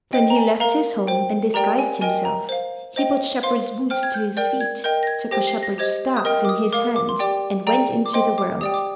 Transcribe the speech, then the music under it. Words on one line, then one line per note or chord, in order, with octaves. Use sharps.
Then he left his home, and disguised himself; he put shepherd's boots to his feet, took a shepherd's staff in his hand, and went into the world.
C5 D#5 G5
A#5
G#5
A#4 F5 A#5
C5 G5
G4 A#4 D5 G5 A#5
G#5
A#4 D#5 G5 G#5
A#5
C5 F5
C5 D#5 G5
C5 F5 C6
C5 G5 F6
G#6
G6
A#4 D5 G5 G6
G#6
A#4 D#5 G5 G6
A#6
G#6
G4 C5 G5 A#6
C7
A#6
G4 C5 D#5 G#6
D#6
A#4 D#5 G5 F6
D6
D#6
A#4 F5 D6
D6
C6
G4 D5 G5 D6
G#4 D5 G5 A#5
D6
C5 D#5 G5 C6
D6
G4 D5 G5 D#6
D6